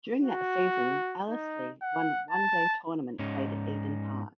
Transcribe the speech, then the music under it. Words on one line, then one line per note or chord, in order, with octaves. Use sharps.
During that season Ellerslie won One Day-tournament played at Eden Park.
F#4
D#4
F#5
A5
G#2 C#4 D#4